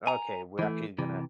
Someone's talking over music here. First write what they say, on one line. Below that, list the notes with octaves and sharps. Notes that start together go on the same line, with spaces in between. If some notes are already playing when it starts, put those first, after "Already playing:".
Okay, we're actually gonna
G#5 A#5
E3 A3
C3 E3